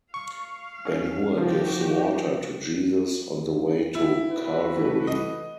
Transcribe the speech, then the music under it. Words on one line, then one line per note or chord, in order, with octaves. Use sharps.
Ben-Hur gives water to Jesus on the way to Calvary.
F5 C#6
C#4
F3 F#4 G4
E4
C3 F#4 B4
E3 A3
D#5